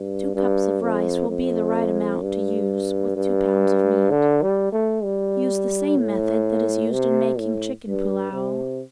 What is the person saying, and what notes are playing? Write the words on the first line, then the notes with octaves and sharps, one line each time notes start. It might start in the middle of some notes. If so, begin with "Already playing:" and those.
Two cups of rice will be the right amount to use with two pounds of meat. Use the same method that is used in making chicken pullao.
Already playing: G2
G2
F2
F2
G2
G2
D3
G3
A3
G3
A2
C3
A2
G2
C3